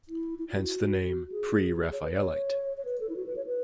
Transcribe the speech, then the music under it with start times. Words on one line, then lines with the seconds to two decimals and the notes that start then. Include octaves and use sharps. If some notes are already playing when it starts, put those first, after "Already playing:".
Hence the name "Pre-Raphaelite".
0.09 E4
0.39 E4
0.49 E4
0.54 F#4
1.32 G#4
1.93 C#5
2.03 B4
2.14 C#5
2.77 C#5
2.85 B4
3.00 A4
3.09 E4
3.16 F#4
3.26 B4
3.36 C#5
3.46 B4